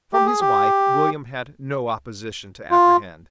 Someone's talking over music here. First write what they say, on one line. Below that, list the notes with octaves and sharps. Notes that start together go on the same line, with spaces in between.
From his wife William had no opposition to apprehend.
G4
G#4
G4
F4